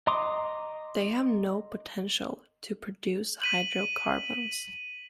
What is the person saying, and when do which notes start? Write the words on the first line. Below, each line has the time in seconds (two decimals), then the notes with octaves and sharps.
They have no potential to produce hydrocarbons.
0.07 D#5 A#5 C6 D6 D#6
3.42 B6 D#7 F#7